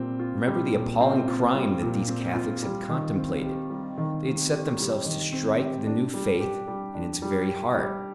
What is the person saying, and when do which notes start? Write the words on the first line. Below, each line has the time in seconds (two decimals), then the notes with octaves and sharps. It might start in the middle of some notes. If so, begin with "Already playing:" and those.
Remember the appalling crime that these Catholics had contemplated; they had set themselves to strike the new Faith in its very heart....
Already playing: A#2 G3 C4
0.19 F4
0.47 G3
0.74 A#2
1.01 C4
1.28 F4
1.54 G3
1.82 A#2
2.08 C4
2.35 F4
2.62 G3
2.89 D#3
3.16 C4
3.44 G4
3.70 G3
3.98 D#3
4.25 C4
4.52 G4
4.79 G3
5.06 D#3
5.33 C4
5.59 G4
5.87 D4
6.14 G3
6.41 G4
6.68 G3
6.95 D4
7.22 G3
7.48 G4
7.76 G3